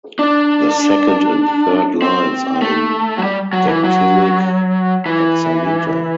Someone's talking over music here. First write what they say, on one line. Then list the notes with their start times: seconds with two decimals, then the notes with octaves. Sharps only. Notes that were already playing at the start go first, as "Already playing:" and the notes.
The second and third lines are in dactylic hexameter.
0.19 D4
2.02 C4
2.62 A3
3.18 F#3
3.23 G3
3.53 F#3
3.68 E3
3.84 F#3
5.06 E3